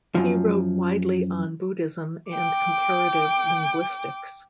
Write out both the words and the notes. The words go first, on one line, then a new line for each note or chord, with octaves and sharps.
He wrote widely on Buddhism and comparative linguistics.
F#2 F3
G5 D6